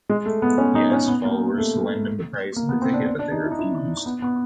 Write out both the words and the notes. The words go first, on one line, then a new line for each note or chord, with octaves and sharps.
He asked followers to lend him the price of the ticket but they refused.
G#3
A3
B3
C#4
D#4
C#4
B3
A#3
A3
A#3
B3
C4
D4
D4
D4
D#4
E4
D#4
E4
B3
B3